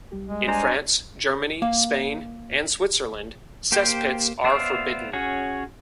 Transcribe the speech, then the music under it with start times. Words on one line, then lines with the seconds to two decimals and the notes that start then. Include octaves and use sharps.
In France, Germany, Spain and Switzerland, cesspits are forbidden.
0.12 B1 G3 G4
0.27 G#3
0.48 D4 C5 G#5 A#5
1.62 A#3 F5
3.72 A#3 G4 C5 G5
4.44 B3 C5 D5 E5 F5
5.13 C#4 F#4 G#4 C#5